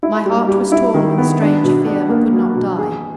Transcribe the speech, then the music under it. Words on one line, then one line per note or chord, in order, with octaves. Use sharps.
My heart was torn with a strange fear, but could not die.
E4
G3
G3
E4
D#3
B3
D4
B2
D4
A#3
F#3
B2
G#4